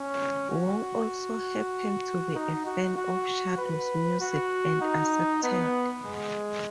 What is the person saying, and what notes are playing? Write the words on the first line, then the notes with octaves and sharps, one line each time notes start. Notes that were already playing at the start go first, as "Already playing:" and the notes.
Wong also happened to be a fan of Shadow's music and accepted.
Already playing: C#4
F#4
D#4
F#4
F#4
B4
F#4
D#4
B3
G#3